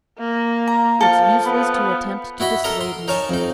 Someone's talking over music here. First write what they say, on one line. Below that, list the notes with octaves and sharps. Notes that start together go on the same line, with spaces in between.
'It's useless to attempt to dissuade me.'
A#3
A#5
F3 A4 F5
B3
E4 F#4 D#5 B5
A4 A#4 D#5 A#5
C6
D#4 A#4 C#5 G#5 A5
F2 D#4